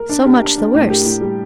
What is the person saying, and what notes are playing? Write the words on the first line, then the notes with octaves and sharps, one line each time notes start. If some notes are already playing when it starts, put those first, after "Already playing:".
So much the worse!
Already playing: A#4
D4
G4
D4
D4
A2
G4
A2
G3